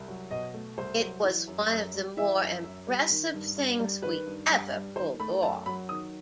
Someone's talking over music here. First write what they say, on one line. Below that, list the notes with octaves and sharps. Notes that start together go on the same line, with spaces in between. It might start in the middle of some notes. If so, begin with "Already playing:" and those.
It was one of the more impressive things we ever pulled off.
Already playing: C2
F#3
B2 D#5
A3
C2 C5
F#3
E3
F#2
F#2
G3
E3 E5
F#2
F#2
G3
D#3
G2
G2
G3
D#3 B4
G2
G2
G3
D#3 C5
A3 B5
F#2 A5
F#3 B5
D#3 D#6